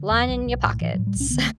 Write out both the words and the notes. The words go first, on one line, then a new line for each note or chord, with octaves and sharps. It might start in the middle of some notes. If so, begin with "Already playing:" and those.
lining your pockets.
Already playing: D3
E2
B1
B1
A2
A2 E3
A2 F#3
G3
B1 C#4
D3 B3
A3